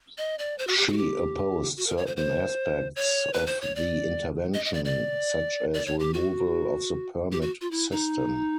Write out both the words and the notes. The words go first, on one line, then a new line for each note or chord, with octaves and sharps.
She opposed certain aspects of the intervention such as removal of the permit system.
D#5
D5
C5
F#4
G4
G#4
F#4
G4
F#4
A#4
C#5
C5
C5
C#5
B4
C5
C#5
D5
D#5
D#5
D5
D5
D5
C#5
G4
F#4
G4
F#4
F4
E4
D#4